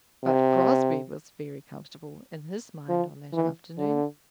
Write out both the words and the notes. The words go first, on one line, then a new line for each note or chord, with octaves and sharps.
But Crosbie was very comfortable in his mind on that afternoon.
C3
F3
E3
D3